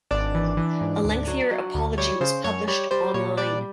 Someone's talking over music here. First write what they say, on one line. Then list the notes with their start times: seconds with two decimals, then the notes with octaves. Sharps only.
A lengthier apology was published online.
0.11 G#1 D4 D5
0.35 E3
0.57 E3
0.81 G#2
1.04 D2
1.27 F#3
1.51 F#3
1.74 D2
1.98 G3 C#5
2.21 C#3 C5
2.44 F#2 C#5
2.68 G3 C#5
2.91 G3 C5
3.14 A#2 C#5
3.37 G3 D4 D5